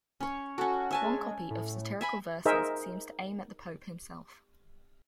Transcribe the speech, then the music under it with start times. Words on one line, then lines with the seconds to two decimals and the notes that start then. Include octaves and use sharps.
One copy of satirical verses seems to aim at the pope himself.
0.20 C#4 C#5
0.58 C#4 F#4 A4
0.91 E5 G#5 A5
1.04 G#3
1.50 A2
2.01 E5 G#5 B5
2.45 D#4 G#4 A#4 C5 D#5 E5